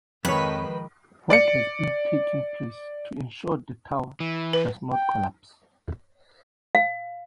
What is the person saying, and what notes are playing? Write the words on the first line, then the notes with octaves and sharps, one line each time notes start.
Work has been taking place to ensure the tower does not collapse.
F2 G#2 D#3 F3 B4 C#5
D5 C#7
E3
B4
G5
F5